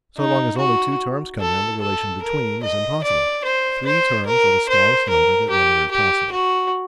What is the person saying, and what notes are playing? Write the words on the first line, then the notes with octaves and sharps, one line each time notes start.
So long as only two terms come in, the relation 'between' is impossible: three terms are the smallest number that render it possible.
D#4
F#4
A4
A4
A#4
D#5
D5
C5
C5
A#4
C5
A#4
G4
G4
F#4